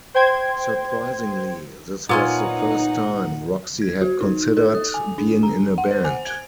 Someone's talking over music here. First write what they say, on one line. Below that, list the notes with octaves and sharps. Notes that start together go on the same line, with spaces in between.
Surprisingly, this was the first time Roxy had considered being in a band.
C5 G5 C6 G#6
A#2 A#3 B3 C#4 D#4 F4 F#5 G#5
G#6
F#4
D#4
A4
D#6
G#5
D4
A#5
F#5
C5
G#5
G#6